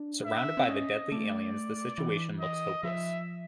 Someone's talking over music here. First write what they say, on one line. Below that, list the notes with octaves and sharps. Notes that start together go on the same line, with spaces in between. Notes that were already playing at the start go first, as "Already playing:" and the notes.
Surrounded by the deadly aliens, the situation looks hopeless.
Already playing: D4
E5
C4
C#4 D#5
A3 D5
E3
D#5
F3 E5